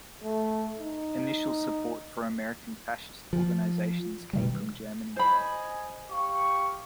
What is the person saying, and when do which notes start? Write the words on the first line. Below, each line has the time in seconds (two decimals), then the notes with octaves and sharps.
Initial support for American fascist organizations came from Germany.
0.24 A3
0.79 D#4
3.33 F3
4.33 B2 D#3 G3
5.16 C5 D#5 G#5 B5
6.10 G4 F5 C#6